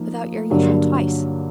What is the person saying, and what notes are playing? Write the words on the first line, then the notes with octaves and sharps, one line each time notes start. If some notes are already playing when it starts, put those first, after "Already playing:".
"Without your usual twice."
Already playing: F3 A#3 D#4
G2 D3 F#3 A#3